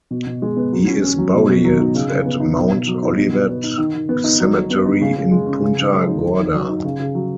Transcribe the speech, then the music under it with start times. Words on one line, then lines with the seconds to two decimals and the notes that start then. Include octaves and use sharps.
He is buried at Mount Olivet Cemetery in Punta Gorda.
0.11 B2
0.27 B2
0.42 G#3
0.57 B3
0.72 F#3
0.88 C#4
1.03 C#4
1.18 F#3
1.34 B2
1.49 B2
1.64 F#3
1.79 D#4
1.95 C#3
2.10 C#3
2.25 B3
2.40 D#4
2.56 B2
2.72 B2
2.87 F#3
3.02 D#4
3.17 B2
3.32 B2
3.48 B3
3.64 D#4
3.78 D#3
3.94 D#3
4.09 B3
4.24 D#4
4.40 F#3
4.55 F#3
4.70 B3
4.86 D#4
5.01 C#3
5.16 C#3
5.31 G#3
5.46 C#4
5.62 C#3
5.77 C#3
5.92 G#3
6.07 D#4
6.23 D#3
6.39 D#3
6.54 F#3
6.69 D#4
6.84 C#3
7.00 C#3
7.15 F#3